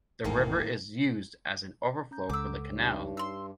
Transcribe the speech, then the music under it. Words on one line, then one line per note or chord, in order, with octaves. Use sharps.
The river is used as an overflow for the canal.
G#1 E2 A2 D#3 A#3
C#4 A#5 G6
C#2 A4 F#5 D6 E6
G2 D#4 G4 C#5
C6 E6